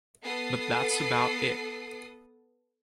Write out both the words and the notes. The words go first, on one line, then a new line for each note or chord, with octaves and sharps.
But that's about it.
B3 A4 D#6 C7